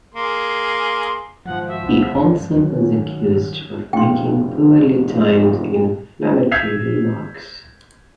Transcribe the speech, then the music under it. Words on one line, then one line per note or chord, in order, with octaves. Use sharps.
He also was accused of making poorly timed inflammatory remarks.
A#3 G#4 C6
G#2 D#3 F3 F#3 F#5
F#4 E5
C2 B3
B3
D#1 G#2 D3 C#4
D#3 F#3 C#4
F1 C#3 F5 G5 C6
E6 G6 G#6 B6 C7 F7